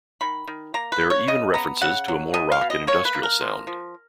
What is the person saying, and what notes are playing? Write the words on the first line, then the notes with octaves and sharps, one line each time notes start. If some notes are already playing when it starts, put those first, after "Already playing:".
There are even references to a more rock and industrial sound.
D#3 B5
D#3
A#3 A#5
B4
A#3
C#5
C#3 D#5
B3 A#5
C#3 F#5
F#3
B2 D#5
F5
B2
D#5
A#3 C#5
B4
A#3
A#4
F3
F3